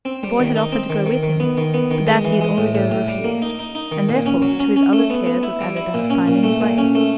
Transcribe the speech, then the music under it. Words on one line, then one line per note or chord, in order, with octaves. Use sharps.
The boy had offered to go with him, but that he had altogether refused;--and, therefore, to his other cares was added that of finding his way.
C4
G3
D#3
D#4
C4
D#3
D#3
D#3
B3
D#3
B3
D#3
G#3
E3
G#3
A2
A2
A2
G3
A#3
D#4
D#4
D#4
D#3
A#2
C#4
F#3
C#4
C#4
A3
B3
B3
E4
G3
E4
A#2
C#4
A#2
A3
A#2
C#4
A3